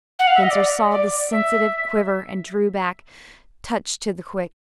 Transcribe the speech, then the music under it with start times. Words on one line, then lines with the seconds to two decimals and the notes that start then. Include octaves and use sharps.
Spencer saw the sensitive quiver and drew back, touched to the quick.
0.19 F#5
0.27 F5
0.34 E5
0.42 D#5
0.50 D5
0.91 D5
1.31 E5